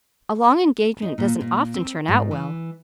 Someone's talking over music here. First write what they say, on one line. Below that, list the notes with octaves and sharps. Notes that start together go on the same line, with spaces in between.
A long engagement doesn't often turn out well.
D#4
A#2
A#2
C4
G#2
E3